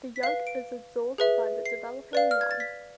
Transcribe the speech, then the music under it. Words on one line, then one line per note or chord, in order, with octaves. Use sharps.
The yolk is absorbed by the developing young.
B6
B4 F5 C7
D7
G#4 B4 E5
C7
B4 D5 F5
F6
G#6
A6
B6